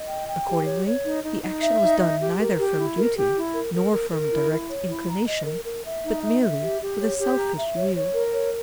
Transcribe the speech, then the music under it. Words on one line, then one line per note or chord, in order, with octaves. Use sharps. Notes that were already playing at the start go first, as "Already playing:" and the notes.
Accordingly the action was done neither from duty nor from direct inclination, but merely with a selfish view.
Already playing: D#5
G5
G5
G4
C#5
C#5
D#4
D#4
D#4
E5
D#4
E5
G4
A#4
G4
E4
A#4
G4
E4
A#4
A#4
A#4
A#4
E4
E4
C#5
E4
A#5
D#5
A#4
A#4
E5
D#4
E5
E5
G4
G4
C#5
G4
A#5
E5
C#5
C#5
A#4
C#5